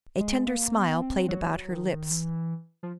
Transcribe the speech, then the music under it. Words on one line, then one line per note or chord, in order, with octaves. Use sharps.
A tender smile played about her lips.
G#3
A#3
B3
C4
F#3
D#3
E3
F3